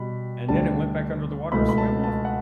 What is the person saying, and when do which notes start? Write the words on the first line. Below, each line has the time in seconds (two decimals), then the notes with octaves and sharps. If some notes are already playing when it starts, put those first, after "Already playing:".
and then it went back under the water and swam off.
Already playing: B2 G3 B5
0.48 D2 D3 G3 D4 A5
1.52 C#2 B2 A3 E4 B5
1.69 B5
1.78 A5
2.04 A5
2.25 F#5